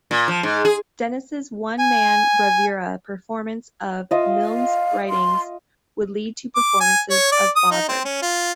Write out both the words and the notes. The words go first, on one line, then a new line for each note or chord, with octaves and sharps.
Dennis's one-man bravura performance of Milne's writings would lead to performances of Bother!
A#2
F3
G#2
G#4
G#5
F4 D#5 E5
F5
C6
D6
G#5
C#5
D5
D#6
D#4
C4
C#4
F4